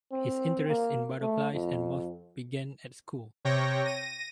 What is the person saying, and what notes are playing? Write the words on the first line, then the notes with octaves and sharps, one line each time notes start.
His interest in butterflies and moths began at school.
C4
A#3
A3
F2
C3 C#5 G5 A#6
A#6 D#7